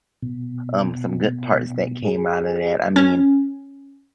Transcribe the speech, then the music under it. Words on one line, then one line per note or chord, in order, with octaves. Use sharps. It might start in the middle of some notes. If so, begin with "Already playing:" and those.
um, some good parts that came out of that. I mean,
B2
G#4
C#4